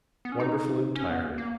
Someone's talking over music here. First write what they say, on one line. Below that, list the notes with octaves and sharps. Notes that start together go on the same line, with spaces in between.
Wonderful entirely.
B3
C#4
D#4
C#4
B3
A#3
A#3